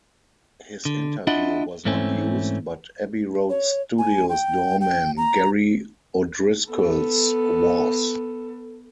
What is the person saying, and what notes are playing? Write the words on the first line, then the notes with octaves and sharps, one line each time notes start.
His interview was not used, but Abbey Road Studios doorman Gerry O'Driscoll's was.
D3
D4 E4 F4 D#5 F#5
G#2 E3 A3 C4 C#4
C#5
G#5
G5
G5
A#5
B3 A4